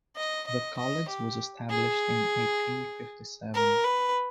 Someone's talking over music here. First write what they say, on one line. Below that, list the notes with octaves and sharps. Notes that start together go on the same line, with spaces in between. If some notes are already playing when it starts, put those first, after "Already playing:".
The college was established in eighteen fifty seven.
D#5
D#5
D#5
G4
G#4
A#4
B4